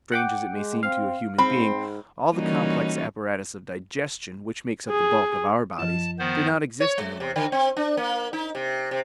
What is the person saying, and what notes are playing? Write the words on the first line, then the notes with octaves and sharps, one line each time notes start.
Strange as it may seem to a human being, all the complex apparatus of digestion, which makes up the bulk of our bodies, did not exist in the Martians.
F#5 G5 D6
G#3
C4 F5
G#2 C4 B5
E3 G3 A#3 C#4 D#4 F#4
G#4
F#2 F3 A5
D#3 B3 C5
C#5
G#3
C3
D3
C4
D4
A#3
D#4
C3
C3